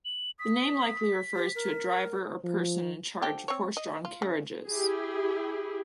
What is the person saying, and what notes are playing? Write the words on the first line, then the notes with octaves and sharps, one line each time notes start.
The name likely refers to a driver or person in charge of horse-drawn carriages.
F#7
D#6 B6
G4
A#4
F3
D3 F3 G4
C4 C#5
D#5
F4
C#3
E4 G4 G#4